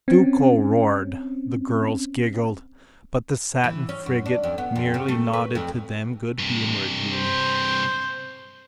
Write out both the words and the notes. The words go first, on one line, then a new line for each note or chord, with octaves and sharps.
Duco roared, the girls giggled, but the Satin Frigate merely nodded to them good-humouredly.
C4 C#4
E3
C#4
F#2
D4
F2
B3
F2
C#3
A3
B4
F2
G2 C3
C5